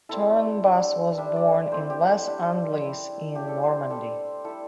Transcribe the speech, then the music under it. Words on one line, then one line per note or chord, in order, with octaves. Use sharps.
Turnebus was born in Les Andelys in Normandy.
G3 C4 E4 A4
G3 D4
G3 D4 E5
D5
D5
A3 C4 E4 C5
G4
A4
G3 D4
G3 E4
A3 D4 G4
A4
C5
G3 D4 A4
G3 E4 A4